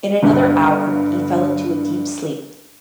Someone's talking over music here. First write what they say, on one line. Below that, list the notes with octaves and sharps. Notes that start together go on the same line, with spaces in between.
In another hour he fell into a deep sleep.
G1 G2 D3